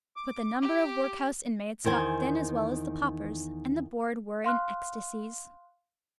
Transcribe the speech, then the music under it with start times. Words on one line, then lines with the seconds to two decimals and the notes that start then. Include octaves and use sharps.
But the number of workhouse inmates got thin as well as the paupers; and the board were in ecstasies.
0.16 D6
0.62 G4 D6
1.84 E2 D#3 C5 G#5
4.44 F5 C6 F6 F#6